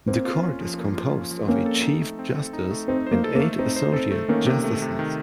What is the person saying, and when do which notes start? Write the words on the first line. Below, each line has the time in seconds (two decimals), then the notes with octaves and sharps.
The Court is composed of a Chief Justice and eight Associate Justices.
0.07 A#3 C4
0.25 F4
0.43 C#4
0.61 F3
0.78 A#3
0.95 F4
1.13 C#4
1.31 F3
1.47 A#3 C4 C#4
1.66 A4
1.84 D#4
2.01 A3
2.19 C4
2.36 A4
2.53 D#4
2.71 A3
2.88 C4 D#4
3.07 A#3 C5
3.24 A4
3.35 A#3
3.40 A3
3.59 C4 D#4
3.76 C5
3.93 C4 A4
4.11 A3
4.28 D#3 A#3 C#4
4.46 C3
4.64 A3
4.82 C3
4.99 D#3